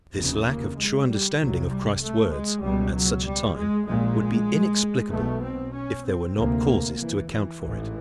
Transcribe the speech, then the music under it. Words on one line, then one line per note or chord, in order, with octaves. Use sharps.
This lack of true understanding of Christ's words at such a time would be inexplicable, if there were not causes to account for it.
F1 D#2 C#3
A#3
G#3
G3
C2 C3 F#3
G3
A3
G#3
C#2 B2 G3
F#3
G3
G#3
A#1 A#2 G#3
B1 B2 A3
C4
C#4
C4
D2 C3 A#3
E3
E3
A1 G#2